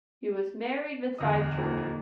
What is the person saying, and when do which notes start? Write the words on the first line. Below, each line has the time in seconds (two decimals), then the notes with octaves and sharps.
He was married with five children.
1.18 D1 E2 D3 D#5 D#6
1.58 F2 D#3 A#3